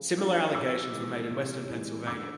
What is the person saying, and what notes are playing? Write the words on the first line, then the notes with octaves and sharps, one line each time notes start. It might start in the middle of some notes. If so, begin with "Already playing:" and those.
Similar allegations were made in Western Pennsylvania.
Already playing: C#3 F3 A3
F3 A3 D4
C3 D6 E6
E3 G#3
C3
E3 G#3
D3 D6 E6